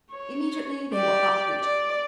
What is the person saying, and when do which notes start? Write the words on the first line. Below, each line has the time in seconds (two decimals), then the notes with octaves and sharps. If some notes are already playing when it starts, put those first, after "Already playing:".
Immediately they were uprooted.
0.12 C#5
0.93 G4 D5
1.60 D5